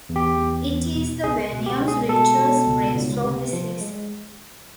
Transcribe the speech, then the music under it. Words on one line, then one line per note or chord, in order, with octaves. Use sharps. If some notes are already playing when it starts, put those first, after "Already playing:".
It is the venue's richest race of the season.
E2
G4
E2
E2
B2
C#2 G#4
B2
G4
G#3
G#4
B2 A4
B2
C#2
C#2
C3
F3
G#3